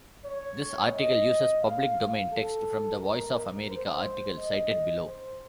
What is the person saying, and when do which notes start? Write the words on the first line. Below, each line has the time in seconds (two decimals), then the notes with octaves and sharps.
This article uses public domain text from the Voice of America article cited below.
0.25 C#5
0.94 D#5
1.62 F5
1.97 F5
2.32 A4
3.00 A#4
3.34 A#4
3.69 C5
4.38 D#5
5.05 C5